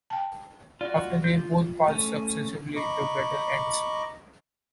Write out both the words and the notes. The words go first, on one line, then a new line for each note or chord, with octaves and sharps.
After they both pass successively the battle ends.
G5 A5
F4 F#4 D5
F4 G6
A3 C#4
D#5 A#5 B5 C#6 D6